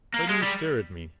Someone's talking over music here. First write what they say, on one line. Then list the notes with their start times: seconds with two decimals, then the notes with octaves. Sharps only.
Why do you stare at me?
0.14 A#3
0.29 G#3
0.43 G3